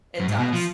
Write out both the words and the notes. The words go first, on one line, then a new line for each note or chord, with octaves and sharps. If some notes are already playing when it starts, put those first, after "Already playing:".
it does.
F#2
G#2
B2
F3